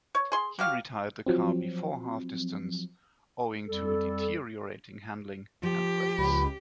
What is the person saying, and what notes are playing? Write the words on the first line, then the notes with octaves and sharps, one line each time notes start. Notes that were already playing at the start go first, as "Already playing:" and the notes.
He retired the car before half distance owing to deteriorating handling and brakes.
C#5
G#4 C6
F#3 G4 F5
F3 F#3 C4
F2 G3 A4
F3 G4
C#2 B5